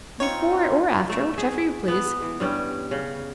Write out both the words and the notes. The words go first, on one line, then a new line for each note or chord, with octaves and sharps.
"Before or after, whichever you please."
C4 D#4 F4 C#5 C#6
A3
G#4 E5
B3
E3
G2 G3 C#4
C#3